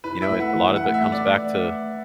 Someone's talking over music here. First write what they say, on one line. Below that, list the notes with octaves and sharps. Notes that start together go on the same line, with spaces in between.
You know, a lot of it comes back to
E4 B4
E5
A3
F#5
E3
A3 F#5
E5
A3
D5